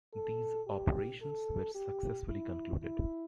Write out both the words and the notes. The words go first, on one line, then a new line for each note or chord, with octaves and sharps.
These operations were successfully concluded.
A4
G4
A4
G4
E4
E4